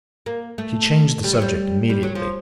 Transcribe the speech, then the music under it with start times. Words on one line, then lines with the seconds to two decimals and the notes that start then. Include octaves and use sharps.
She changed the subject immediately.
0.26 A#3
0.58 A3
1.24 G3
1.33 F#3
1.42 G3
1.90 G3
2.03 F#3
2.15 F3